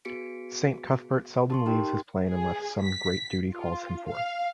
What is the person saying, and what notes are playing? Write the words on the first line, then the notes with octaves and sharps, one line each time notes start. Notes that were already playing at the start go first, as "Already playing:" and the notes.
Saint Cuthbert seldom leaves his plane unless some great duty calls him forth.
B3 F#4 G#4 B6 C#7 D7
A5 C6 C#6
D#4 G4 A#4 G5 C6
G#4
B6
F4
F5